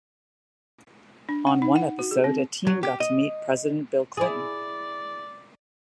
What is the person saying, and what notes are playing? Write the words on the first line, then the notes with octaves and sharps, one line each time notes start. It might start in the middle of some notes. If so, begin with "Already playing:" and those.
On one episode, a teen got to meet President Bill Clinton.
D4
F#5
D#4
F#5
F#4
G#4
C4
F#3
G4
D#5
E4 G#4 D5